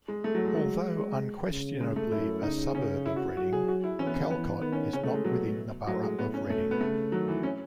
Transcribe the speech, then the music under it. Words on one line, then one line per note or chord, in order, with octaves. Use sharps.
Although unquestionably a suburb of Reading, Calcot is not within the Borough of Reading.
G#3
A3
F#3
G#3
F#3 G#3
C#3
G#3
A3
F#2 E4
C#3 D#4
C#4
E4
F#4
F#3 F#4
G#4
F#4
E4
E3 C#4
B3
C#4
E3 B3
D#3 B3
C#4
C#3 C#4
A3
G#3
B2 F#3
A2 F#3
G#3
A2 B3
C#4
B2 A3
B3
C#3 A3
D#3 F#3
E3
C#4